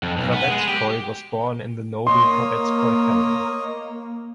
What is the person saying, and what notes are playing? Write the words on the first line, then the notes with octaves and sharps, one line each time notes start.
Trubetskoy was born in the noble Trubetskoy family.
F2
B1
B3
G#3
G4
A#3 C#5 D#5 C6